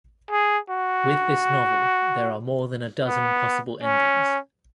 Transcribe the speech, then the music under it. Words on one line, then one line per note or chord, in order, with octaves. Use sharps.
With this novel, there are more than a dozen possible endings.
G#4
F#4
B3
C#4